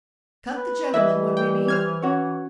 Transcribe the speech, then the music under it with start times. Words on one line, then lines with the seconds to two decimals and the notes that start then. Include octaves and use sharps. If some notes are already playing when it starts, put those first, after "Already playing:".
Cut the gentleman when we meet?
0.55 B4
0.94 E3 G3 E4 B4 D#5 E5
1.37 G5
1.68 C5 F6 G#6
2.02 C#4 F#4 C#5